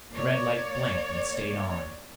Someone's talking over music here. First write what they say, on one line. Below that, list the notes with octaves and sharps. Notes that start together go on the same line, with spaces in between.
The red light blinked and stayed on.
A#3 C#5 D5